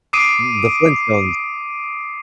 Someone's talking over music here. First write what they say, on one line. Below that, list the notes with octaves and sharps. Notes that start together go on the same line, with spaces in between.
M The Flintstones.
D6 D#6 C7 D7 D#7